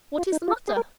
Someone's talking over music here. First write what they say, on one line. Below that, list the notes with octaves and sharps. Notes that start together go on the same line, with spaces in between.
'What is the matter?
F4
D#4
F4
G#4
A#4